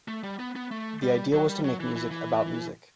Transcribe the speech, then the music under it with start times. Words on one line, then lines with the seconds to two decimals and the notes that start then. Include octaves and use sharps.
The idea was to make music about music.
0.08 A3
0.24 G3
0.39 B3
0.56 B3
0.71 A3
1.02 G3
1.33 F#3
1.49 G3
1.64 F#3
1.80 E3
1.96 E3
2.11 E3